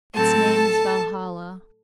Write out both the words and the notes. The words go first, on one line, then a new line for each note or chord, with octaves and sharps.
Its name is Valhalla.
A2 F#3 C4 A4 A5